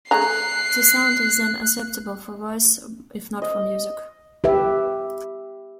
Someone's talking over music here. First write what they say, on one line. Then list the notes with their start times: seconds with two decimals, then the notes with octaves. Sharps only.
The sound is then acceptable for voice, if not for music.
0.11 A3 G#4 A#5 F#6 C7
3.42 D#5
4.44 G4 B4 E5